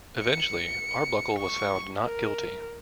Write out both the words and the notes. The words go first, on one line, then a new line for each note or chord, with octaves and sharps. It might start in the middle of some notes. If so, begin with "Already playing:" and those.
Eventually Arbuckle was found not guilty.
C#7
C#6
A#4